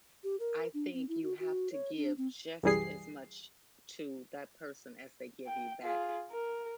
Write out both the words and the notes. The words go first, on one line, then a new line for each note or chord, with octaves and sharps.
I think you have to give just as much to that person as they give you back.
G4
A#4
D4
C4
E4
F#4
F#4
C#5
D4
C4
C2 F#2 E3 G3 G#4 C7
G5
F4 G#4
A#4